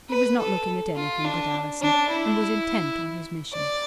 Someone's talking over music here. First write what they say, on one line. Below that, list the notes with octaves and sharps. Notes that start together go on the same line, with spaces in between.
He was not looking at anything but Allison, and was intent on his mission.
B4
A4
F4
D4
D4
E4
D5